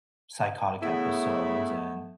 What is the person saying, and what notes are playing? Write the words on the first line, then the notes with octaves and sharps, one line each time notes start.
psychotic episodes, and
C#3 A3 B3 E4